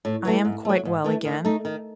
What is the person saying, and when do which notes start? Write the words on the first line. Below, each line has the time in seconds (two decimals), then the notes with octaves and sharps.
I am quite well again.'
0.05 A2
0.25 E3 A3
0.45 G#2
0.65 F#3 A3
0.85 G#2
1.04 E3 A3
1.25 D#3
1.45 A3 D#4
1.65 D#3